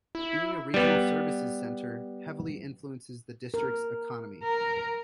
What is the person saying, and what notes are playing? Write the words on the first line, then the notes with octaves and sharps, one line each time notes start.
Being a regional services centre heavily influences the district's economy.
E4
G3 B3
A#4
A#4